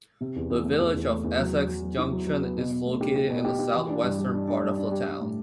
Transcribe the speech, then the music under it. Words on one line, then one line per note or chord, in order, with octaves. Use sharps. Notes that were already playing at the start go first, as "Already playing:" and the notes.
The village of Essex Junction is located in the southwestern part of the town.
C3
E2
E2
A3
E2
E2
A3
E2
F#3
F#3
F#3
F#3
E4
F#3
F#3
B3
B2
B2
A3
G4
G4
B2
G4
G4
E3
D4
G2
G3
D4
D4
G2
D4
G3
G3
A2